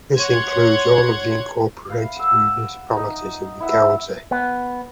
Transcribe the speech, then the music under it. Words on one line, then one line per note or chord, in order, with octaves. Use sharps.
This includes all of the incorporated municipalities in the county.
C#5 F#5 C6 G#6
B4 F5
F#5 E6
D#4
E4 E5 F#5
B3